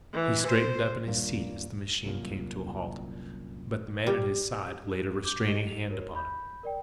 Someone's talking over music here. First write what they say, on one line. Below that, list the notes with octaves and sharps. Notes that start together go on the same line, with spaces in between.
He straightened up in his seat as the machine came to a halt--but the man at his side laid a restraining hand upon him.
E3
C5
D#1 G2 A#2 A#3
C2 F#2 A#2
G3
D6 G6
G4 D#5 G7
F7
F#4 A#4 C#5
B5 G6
A#4 D5 G5